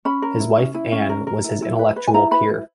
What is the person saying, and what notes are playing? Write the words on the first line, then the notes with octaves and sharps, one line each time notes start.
His wife Anne was his intellectual peer.
C#4 B5
A#4
E4
C#4
E4
C#4
A#4
A#4
E4
E4
B4
B4
G#5
E4 A#5
B4 B5
E4